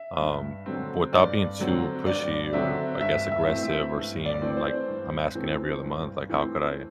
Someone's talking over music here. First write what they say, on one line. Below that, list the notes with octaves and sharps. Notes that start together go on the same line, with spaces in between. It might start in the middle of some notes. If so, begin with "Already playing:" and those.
Um, without being too pushy or, I guess, aggressive or seem, like, I'm asking every other month, like, how could I
Already playing: E5
G2
D3 F#3 C4
G2 D5
D3 F#3 C4
G2 D5
D3 F#3 C4 E5
G2 E5
E5
E3 A3 C4
E5
G2
D5
E3 A3 C4
C5
G2
E3 A3 C4
G2
E3 A3 C4